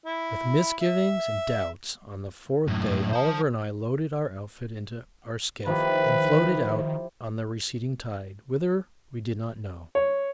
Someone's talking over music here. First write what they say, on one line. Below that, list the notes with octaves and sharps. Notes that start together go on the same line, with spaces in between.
With misgivings and doubts, on the fourth day Oliver and I loaded our outfit into our skiff and floated out on the receding tide, whither, we did not know.
E4
E5
F#2 A2
C5 A5
D#3 F3 E4 G4 B4
C#5